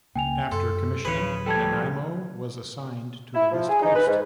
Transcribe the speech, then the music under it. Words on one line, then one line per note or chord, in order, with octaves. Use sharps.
After commissioning, "Nanaimo" was assigned to the west coast.
C#2 C#3 A#3 G5 G#5 F7
F#2 A4 C6
D1 G#4 B4 C#5
F3 G3 A4 G5 A5 G#6
E4
F3
G#4
D#4
B4
G#2